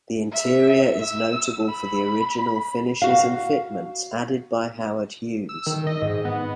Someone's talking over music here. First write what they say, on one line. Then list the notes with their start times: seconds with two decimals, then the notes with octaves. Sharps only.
The interior is notable for the original finishes and fitments added by Howard Hughes.
0.32 E5
1.01 E6
1.69 B5
3.02 F#4 F5
5.49 E6
5.66 D#3
5.87 D#5
6.02 G#2
6.25 B3